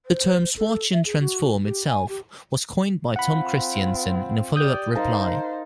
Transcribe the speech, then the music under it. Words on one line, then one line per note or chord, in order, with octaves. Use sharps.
The term "Schwartzian Transform" itself was coined by Tom Christiansen in a follow-up reply.
C5
A4
E5
G#4
F#4
G4
G#5
G4
C4 F4 F#5 B5
G4 D5 D#6 G6
D#4 A#4 C5 F5 A5